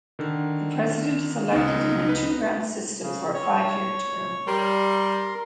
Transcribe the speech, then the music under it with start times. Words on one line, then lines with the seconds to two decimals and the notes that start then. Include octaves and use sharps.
The President is elected in a two-round system for a five-year term.
0.19 D3 D#3
1.52 C#2 B3 D#4
2.09 B4
3.02 C#3
3.34 C#5
4.47 G3 A#4 C6